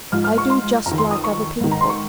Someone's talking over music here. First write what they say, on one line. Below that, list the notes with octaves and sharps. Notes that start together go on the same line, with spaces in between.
I do just like other people.
G#2 F3 F6
F6
C#6
C6
F2 A#5
D#3
C6
D#6
C#6
G#2 D#3
A#5
C6
C#6